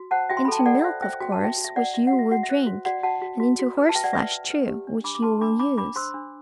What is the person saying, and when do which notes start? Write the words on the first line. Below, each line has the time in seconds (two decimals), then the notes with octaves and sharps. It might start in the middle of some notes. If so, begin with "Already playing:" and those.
Into milk, of course, which you will drink; and into horseflesh too, which you will use.
Already playing: F#4
0.11 C5 F#5 A5
0.29 F#4 E5 G5
0.37 C6
0.45 B5
0.48 A4 A5
0.59 G5
0.66 A4 D5 F#5
0.84 C5 E5
1.02 C5 E5 G5
1.21 F#4 G5
1.32 A5
1.40 F#4 E5 G5
1.58 F#4
1.64 E5
1.76 F#4 D5 F#5
1.94 F#4 E5
2.07 F#5
2.13 F#4
2.19 E5
2.31 F#4 F#5
2.43 E5
2.49 C5
2.67 F#4
2.85 F#4 D5 F#5
3.03 F#4 F#5 A5
3.22 F#4
3.40 F#4
3.59 F#4
3.77 B4
3.89 A5
3.95 B4 E5 G5
4.04 D5 F#5
4.13 B4 E5
4.32 B4
4.50 B4
4.68 G4
4.87 D4
5.04 D4 B5 D6
5.15 D6
5.23 B4 A5 C6
5.41 D4 B5 D6
5.59 D4 B5 D6
5.78 D4 B5 D6
5.96 C5 C6 E6
6.14 D4